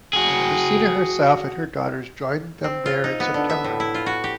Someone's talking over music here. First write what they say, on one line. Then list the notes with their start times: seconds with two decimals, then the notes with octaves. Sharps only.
Christina herself and her daughters joined them there in September.
0.13 F#4 G#4
2.64 C4
2.86 F4
3.04 D#4
3.20 B3
3.34 D3
3.50 E5
3.64 A2
3.80 E4
3.94 F4
4.06 F#4
4.24 G4